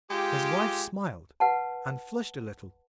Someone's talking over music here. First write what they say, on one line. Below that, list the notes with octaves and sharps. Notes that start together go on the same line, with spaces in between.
His wife smiled, and flushed a little.
G#3 F4 G4
B4 F#5 A5